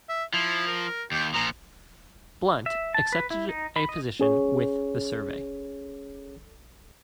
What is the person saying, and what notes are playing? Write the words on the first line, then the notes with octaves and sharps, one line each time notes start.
Blunt, accepted a position with the Survey.
E5
F3 E4
A#4
D#2 G4
A#2 F3 A#5
E5
A5
B4
E4
D#4
B5
D#5
C#4 G#4 C#5